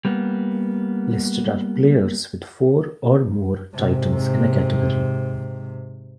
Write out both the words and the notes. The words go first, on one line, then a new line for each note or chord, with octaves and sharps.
Listed are players with four or more titles in a category.
G3 A#3 B3
G#2 C3